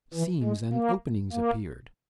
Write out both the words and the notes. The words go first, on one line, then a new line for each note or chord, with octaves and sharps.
Seams and openings appeared.
E3
G#3
A#3
A#3